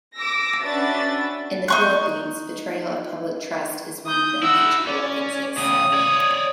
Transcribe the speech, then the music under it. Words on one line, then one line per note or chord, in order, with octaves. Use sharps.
In the Philippines, "betrayal of public trust" is one of the impeachable offenses.
D6 E6 A#6
C#4 D4 F#4 B4 E5 A6
D#4 C#6 F#6
D#6 G6
E4 F#4 E6
C#4 D5
A2 C#3 D#6
C#5 D5